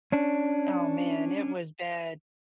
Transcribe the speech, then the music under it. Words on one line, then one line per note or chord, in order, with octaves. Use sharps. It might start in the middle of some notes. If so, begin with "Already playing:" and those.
Oh, man, it was bad.
C#4 D4